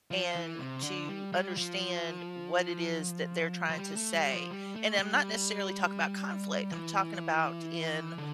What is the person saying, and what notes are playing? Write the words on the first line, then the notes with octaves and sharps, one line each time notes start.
and to understand what it is that they're trying to say. And I'm not necessarily talking about conflict, I'm talking about in,
F3
E3
C3
D3
G3
G3
F3
F3
G3
A3
G3
F3
G3
A3
G3
E3
D3